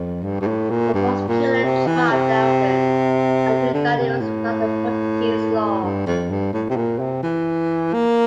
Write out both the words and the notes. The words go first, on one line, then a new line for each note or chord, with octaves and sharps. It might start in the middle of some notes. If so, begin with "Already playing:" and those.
The prosecutor dropped the evidence, arguing that it was not in Portuguese law.
Already playing: F2
G2
G2
A2
A#2
G2
A#2
C3
E3
C3
D3
C3
A2
G2
F2
G2
A2
C3
A#2
C3
E3
A#3